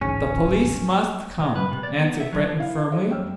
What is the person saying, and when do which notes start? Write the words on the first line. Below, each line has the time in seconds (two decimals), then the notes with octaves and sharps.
"The police must come," answered Breton firmly.
0.01 A1 D2 G#2 C#4
1.39 C#3
1.56 B4
1.72 C3
1.83 D5
1.99 B3
2.20 E5
2.32 F#3
2.57 E4 F5
2.91 A4 C5 D#5 F5
3.08 F#2 G3 C#5 G5 E6 F6